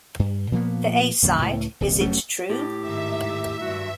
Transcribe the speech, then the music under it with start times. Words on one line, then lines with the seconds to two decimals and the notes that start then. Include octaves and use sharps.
The A-side Is It True?
0.19 G2
0.51 A#2 F3 A#3 B3
1.22 B1 F#2 D#3 A#3
1.39 C#2 A2
1.81 D#1 C2
2.01 E1 F#3 A3 C#4
2.50 A2 G4
2.81 G#2 D#3 E5
3.60 G2 F#4